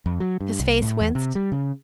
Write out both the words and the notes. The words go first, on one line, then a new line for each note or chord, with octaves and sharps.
His face winced.
F2
F#3
G2
C2
A2
E2
C3
G3
C#3